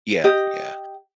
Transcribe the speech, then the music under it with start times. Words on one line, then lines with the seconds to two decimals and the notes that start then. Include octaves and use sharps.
Yeah. Yeah.
0.24 G4 D#5